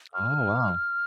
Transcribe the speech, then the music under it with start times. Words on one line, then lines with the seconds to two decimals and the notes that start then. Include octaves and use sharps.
Oh, wow.
0.14 F6